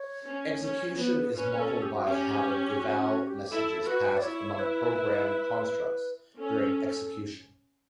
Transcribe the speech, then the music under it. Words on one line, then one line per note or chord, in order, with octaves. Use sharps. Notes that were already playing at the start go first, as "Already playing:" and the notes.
Execution is modeled by having Eval messages passed among program constructs during execution.
Already playing: C#5
C#4
C#4 C#5
B3 B4
C#4 B4
A4
G4
F#4
C#4 G4
G4
F#4
F#4
G4
E4 A4
F#4 B4
D5
E4 C#5
B4
C#4 A4